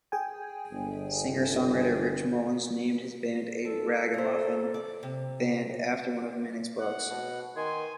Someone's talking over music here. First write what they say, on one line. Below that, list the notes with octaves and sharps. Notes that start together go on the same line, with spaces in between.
Singer-songwriter Rich Mullins named his band, A Ragamuffin Band, after one of Manning's books.
G#4 G5 G#5
G1
F3 A4
A#4 C5
D5
C3
F#5
B2
D#3 G#5 C6